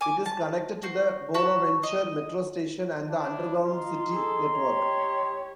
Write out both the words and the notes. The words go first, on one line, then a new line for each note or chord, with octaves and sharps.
It is connected to the Bonaventure metro station and the underground city network.
G#5 D6
A5
F#4 C5
F#4 A5 B5
D#5
D4 E4 A5
F4 D#5 A#5 C6
G#4 A4
G4 C#5